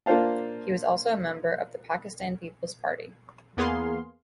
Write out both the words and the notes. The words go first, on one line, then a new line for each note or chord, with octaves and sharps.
He was also a member of the Pakistan Peoples Party.
A#3 D4 F4 C5 F5 A5
E2 A#3 B3 G#4 F5 C6